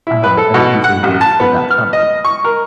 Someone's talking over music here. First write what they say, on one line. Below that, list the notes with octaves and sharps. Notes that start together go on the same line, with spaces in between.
Uh-huh. And it usually goes to that company.
E4
B4
A4
B2
F#5
A1
A5
B3
F6
D#5
C#6
A#4